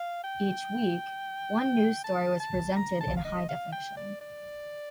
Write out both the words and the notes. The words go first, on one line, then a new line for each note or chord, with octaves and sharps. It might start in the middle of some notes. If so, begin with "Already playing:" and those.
Each week, one news story was presented in high-definition.
Already playing: F5
G5
A5
A5
A#5
A5
F5
D#5
F5
G5
D5
D5